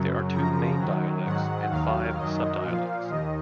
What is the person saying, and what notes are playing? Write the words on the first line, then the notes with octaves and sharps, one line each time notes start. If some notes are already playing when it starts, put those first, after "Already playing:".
There are two main dialects, and five subdialects.
Already playing: F#2 C#3 F#3
F#2 C#3 F3 A#5
F#2 D#3 F#3
G#2 D#3 F#3 F#5
D#2 D#3 F#3 F5
F#2 D#3 F#3 D#5
A#2 F3 F5
D#2 D#3 D#5